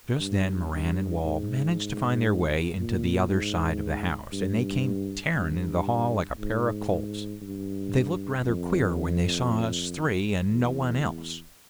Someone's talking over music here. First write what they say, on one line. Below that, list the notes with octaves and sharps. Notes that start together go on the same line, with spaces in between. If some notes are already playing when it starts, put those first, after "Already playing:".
Just then Moran and Wall managed to find their way into the other side of the house, and they came tearing into the hall like a pair of colts. They looked rather queer when they saw us three and no one else.
G2
G2
G#2
A#2
G#2
G2
G2
G#2
G#2
G2
F2
E2